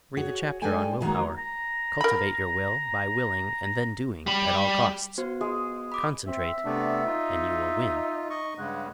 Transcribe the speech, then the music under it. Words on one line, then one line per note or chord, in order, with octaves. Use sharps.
Read the chapter on "Will Power." Cultivate your will by willing and then doing, at all costs. Concentrate--and you will win.
F#4 G#4 C#5
G#3 D4 D#4 A4 G5 G#5
D3 D#3 F#3 G#3 A#3 D#4
A#5
A#4 B5
G3 B5
B3 F#4 C5
G#3 G#4
B5 D6 D#6
C4 E5
C3 A3 B3 D4
D#4 F4
D#5 C#6
G2 C#3 G#3 F#5